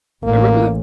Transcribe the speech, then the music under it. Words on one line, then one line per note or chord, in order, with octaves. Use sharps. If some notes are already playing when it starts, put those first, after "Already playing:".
I remember the
A1 A#3